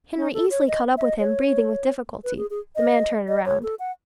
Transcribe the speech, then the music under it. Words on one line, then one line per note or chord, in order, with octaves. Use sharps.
Henry easily caught up with him, breathing with difficulty. The man turned around.
C#4
A4
C#5
D#5
E5
D#5
C#5
B4
G#4
G#4
D#5
D#5
C#5
A4
F#5